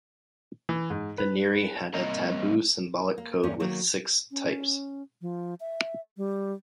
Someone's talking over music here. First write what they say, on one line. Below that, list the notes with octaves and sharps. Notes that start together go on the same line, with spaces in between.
The Nri had a taboo symbolic code with six types.
E3
G#2
B4
G3 A#3 C4 D#5 A#5
A#3
E2 G2 A#3 C#4
D#3 F#3 A#3
C#4
F3
E5
G3